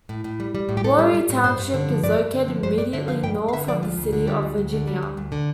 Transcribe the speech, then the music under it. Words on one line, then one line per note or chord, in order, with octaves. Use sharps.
Wuori Township is located immediately north of the city of Virginia.
A2
A2
G3
G3
A2
G4
A2 A4
G3
G3
A2
G2 C5
G2
D3
F3
G2 D5
G2
D3
F3
G2 C5
G2 D5
D3 E5
F3 F5
G2 G5
G2
F5
D3 E5
F3 D5
D2 F4
D2
D3
G3
D2
D2
D3
G3
D2
D2
D3